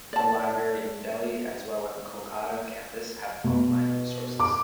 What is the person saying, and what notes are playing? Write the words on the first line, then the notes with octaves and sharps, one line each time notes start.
The library in Delhi as well in Kolkata campus have online resources.
D5 A5
B2
D6